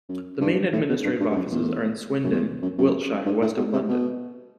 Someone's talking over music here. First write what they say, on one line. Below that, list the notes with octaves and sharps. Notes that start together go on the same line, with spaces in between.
The main administrative offices are in Swindon, Wiltshire, west of London.
F#2
G2
A2
B2
G2
G2
G2
F#2
E2
F#2
E2
F#2
F#2
G2
A2
B2
C3
B2